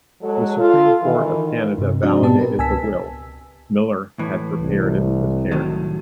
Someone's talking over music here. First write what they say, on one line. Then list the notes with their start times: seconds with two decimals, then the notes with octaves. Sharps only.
The Supreme Court of Canada validated the will; Millar had prepared it with care.
0.22 F#3 G#3 A4
0.57 F4 A4
1.03 D#3 E3
1.78 G2 C3
2.03 F3 C4 D4 F#4 D5 D#5
2.22 G#2 B2 B3 G4 A5
2.39 A#4 B4
2.58 C#2 G#5 A5 E6 B6
4.19 A2 E3
4.61 C2
5.51 A2 D#3 F#3